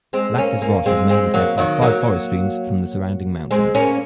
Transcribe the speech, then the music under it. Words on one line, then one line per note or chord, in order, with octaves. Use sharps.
Lac des Roches is mainly fed by five forest streams from the surrounding mountains.
G#3 C4
A#3 C#4
A#3 C#4
G#3 C4
G#3 C4
F#3 A#3
D#3 F#3
F#3 A#3
G#3 C4
A#3 C#4